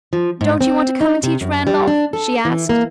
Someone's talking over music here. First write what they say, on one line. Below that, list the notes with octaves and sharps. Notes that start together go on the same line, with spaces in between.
"Don't you want to come and teach Randolph?" she asked.
F3
G#2
C4
D#4
C3
F#2
G3
D4
A4
E3
A#3